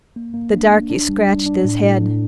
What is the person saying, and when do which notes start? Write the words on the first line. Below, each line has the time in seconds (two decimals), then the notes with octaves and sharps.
The darky scratched his head.
0.16 A#3
0.34 A#3
0.53 D4
0.72 D4
0.90 D4
1.09 G3
1.27 D4
1.46 D4
1.65 A2
1.83 A2
2.02 A2